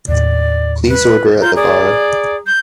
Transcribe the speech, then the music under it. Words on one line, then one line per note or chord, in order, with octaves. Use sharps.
Please order at the bar.
D#2 A2 D5
B4
F4 A#5 G6
G#4 D5
G6